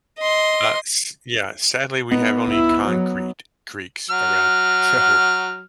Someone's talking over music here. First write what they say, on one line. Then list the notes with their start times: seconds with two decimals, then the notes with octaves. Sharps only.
Uh, s yeah, sadly, we have only concrete creeks around, so
0.19 D#5 C6
2.11 B3 D#4
2.50 E4
2.85 F#3
4.10 F#3 F6